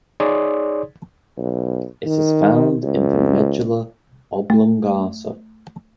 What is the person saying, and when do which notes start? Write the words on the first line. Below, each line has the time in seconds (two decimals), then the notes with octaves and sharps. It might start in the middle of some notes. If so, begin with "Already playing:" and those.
It is found in the medulla oblongata.
0.20 D#4 G#4 C#5 D5 C6 D#6
1.37 B1
2.06 D#3
2.83 C#2
4.50 A3